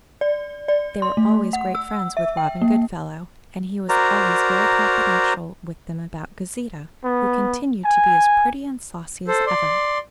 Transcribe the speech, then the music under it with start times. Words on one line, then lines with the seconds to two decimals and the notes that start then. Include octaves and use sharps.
They were always great friends with Robin Goodfellow, and he was always very confidential with them about Gauzita, who continued to be as pretty and saucy as ever.
0.21 D5
0.68 D5
1.02 C6
1.17 A3
1.53 F#5
1.75 E6
2.17 E5
2.37 G5
2.62 A#3
3.89 F#4 A#4 C5 D5 A#5
7.04 B3
7.84 G#5
9.27 A4 C5
9.46 D5 C6